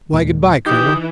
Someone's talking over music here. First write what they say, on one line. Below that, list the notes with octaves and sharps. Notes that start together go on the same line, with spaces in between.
"Why good-bye, Colonel?"
D#2 A#2 G#3
E3 D#4 G4 D#6